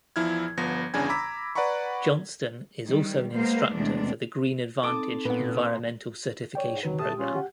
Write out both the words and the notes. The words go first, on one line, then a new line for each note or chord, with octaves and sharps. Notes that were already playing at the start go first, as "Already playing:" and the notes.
Johnston is also an instructor for the Green Advantage Environmental Certification Program.
E2 F3 E4 F6 G#6
G1 F3 B3 A#6
G1 E2 C#3 D4 G#5 G#6
A#5 B5 D6 E6 B6
B4 D5 F#5 A#5 B5 C#6
D#3 G3
G#3 A#3 B3 C5 F5
E2 C3 G#3 A3 D4
C4 D#4 A4 A5 D6 D#6
A#2 B3 B4
C#5 D5 G5
G#2
E2 D#3 F#3 B4
A#2 A3 G4 A5 D#6
C#4 F4
G4 F#5